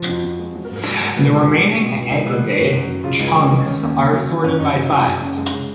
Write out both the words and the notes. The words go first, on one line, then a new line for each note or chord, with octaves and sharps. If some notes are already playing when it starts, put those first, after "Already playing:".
The remaining aggregate chunks are sorted by size.
Already playing: F3
F2 F#4
F2
G#3
F#3
A#4
G#2
A#4
F#3
G#2
B2 B4
C#2 G#4
C#2 F#4
G#3
B2
C#2
C#2 D#4
F#3 B3
D#3
F#2
F#2
F#3
C#3 F4
C#2 D#4
C#2 C#4
G#3
D#3 C#4
D#2
D#2
F#3
D#3
F#2 C#4
F#2 D#4
F#3
C#3
F#2
F#2
G#3
C#3